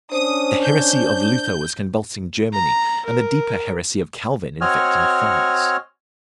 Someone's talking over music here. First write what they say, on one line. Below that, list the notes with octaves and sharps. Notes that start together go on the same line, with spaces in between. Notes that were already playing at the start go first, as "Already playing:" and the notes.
The heresy of Luther was convulsing Germany, and the deeper heresy of Calvin infecting France.
C#4 D4 C5 D#6
G6
A#5
A#4
C4 F#4 C#5 D#5 G#5 F6